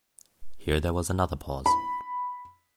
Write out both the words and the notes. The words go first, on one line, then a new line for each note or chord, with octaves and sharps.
Here there was another pause.
B5